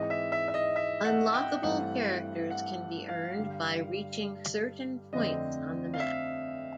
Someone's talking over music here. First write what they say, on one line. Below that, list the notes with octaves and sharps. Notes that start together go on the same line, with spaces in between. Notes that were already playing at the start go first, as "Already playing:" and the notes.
Unlockable characters can be earned by reaching certain points on the map.
Already playing: G#2 E3 G#3 C4 D#5
E5
E5
E5
D#5
E5
F#5
G5
G2 E3 A3 C4 F#5
F#5
F5
G2 D3 G3
F2 D3 F3 A3 C4 D#5
F5
E5